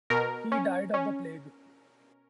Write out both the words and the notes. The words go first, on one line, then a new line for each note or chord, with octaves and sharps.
He died of the plague.
B2 A#4
C#4
C#4